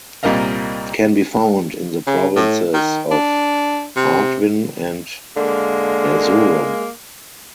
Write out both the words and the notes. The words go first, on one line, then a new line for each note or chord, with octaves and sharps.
It can be found in the provinces of Artvin and Erzurum.
C2 A#2 G3 A#4 D#5 F5
C#3
A2
D#3
D4
C3
D3 G#3 A#3